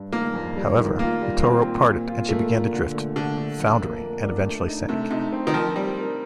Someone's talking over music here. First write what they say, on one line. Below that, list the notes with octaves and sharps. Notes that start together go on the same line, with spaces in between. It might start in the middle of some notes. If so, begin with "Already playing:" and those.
However, the tow rope parted and she began to drift, foundering, and eventually sank.
Already playing: G2
D#3 A#3
F2
G3
D#3
A#3 F4
G3
C4
A#2
A#2
F4
A3 A#3
A#2
D3
A3
D3 A3
A3
F2
A#3
A#3
D4
A3
D#4
C3 A3
C3 D#4
C4
D#3
F3 A#4
G3 C4
A#4